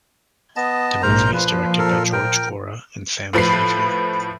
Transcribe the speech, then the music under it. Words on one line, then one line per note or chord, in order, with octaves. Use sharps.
The movie is directed by George Kora and Sam Xavier.
B3 D#5 A5
A#1 G#2 A#4 C5 A#5
A#2 F3 B4
A4 A#4
A#4 G5
A2 F3 B4 B5 C7